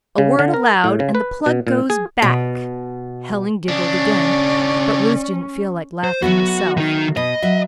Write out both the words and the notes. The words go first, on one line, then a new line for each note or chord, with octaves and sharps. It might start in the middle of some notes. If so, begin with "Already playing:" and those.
"A word aloud and the plug goes back." Helen giggled again, but Ruth didn't feel like laughing herself.
C#3
D3
A#4
A2
C#3
B4
B2
A#2
G#4
B2
C#3 C#4 D4 D5
C5
F#3 A3 B3 F#4
D#3 D#4
B2 B4 D#5
F#3 B4 E5